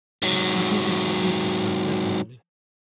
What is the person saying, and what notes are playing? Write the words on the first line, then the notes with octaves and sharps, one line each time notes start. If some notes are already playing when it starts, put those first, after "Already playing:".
This procedure repeats itself cyclically.
G#2 F#3